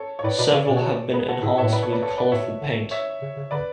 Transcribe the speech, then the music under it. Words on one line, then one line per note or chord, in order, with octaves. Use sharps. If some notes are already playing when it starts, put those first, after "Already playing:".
Several have been enhanced with colourful paint.
Already playing: A4 C#5
C#5
A2 B4 D5
B2 B4 D5
C#3 C#5
B2 D5
A4 C#5
G#4 B4
F#4 A4
A2 E4 G#4
A2 C#5 E5
B4 D5
A4 C#5
B4 D5
A4 C#5
B4 D5
A2 C#5 E5
B2
D3
C#5 E5
C#3
C#3
D3 B4 D5